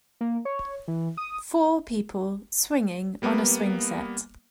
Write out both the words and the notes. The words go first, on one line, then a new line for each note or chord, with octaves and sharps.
Four people swinging on a swing set.
A#3
C#5
E3
D#6
G3 A#3 B3